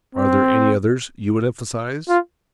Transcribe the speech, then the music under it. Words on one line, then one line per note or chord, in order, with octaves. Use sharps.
Are there any others you would emphasize?
C4
F4